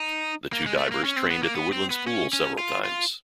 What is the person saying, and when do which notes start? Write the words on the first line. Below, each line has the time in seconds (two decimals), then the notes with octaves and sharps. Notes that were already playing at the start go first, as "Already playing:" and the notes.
The two divers trained at the Woodland's Pool several times.
Already playing: D#4
0.53 A#3
0.66 G#3
0.78 A3
0.92 A#3
1.04 C#4
1.16 C4
1.30 B3
1.43 A#3
1.55 B3
1.73 C4
1.91 B3
2.07 C#4
2.33 C#4
2.59 F4
2.84 F4